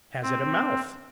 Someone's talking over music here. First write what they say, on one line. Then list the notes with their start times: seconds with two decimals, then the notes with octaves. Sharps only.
Has it a mouth?
0.23 C4